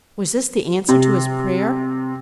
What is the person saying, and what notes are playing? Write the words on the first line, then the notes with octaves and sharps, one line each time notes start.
Was this the answer to his prayer?
C3